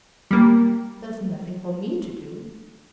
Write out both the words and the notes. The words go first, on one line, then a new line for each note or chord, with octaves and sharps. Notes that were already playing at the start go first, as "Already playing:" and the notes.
There's nothing for me to do.
G3 A#3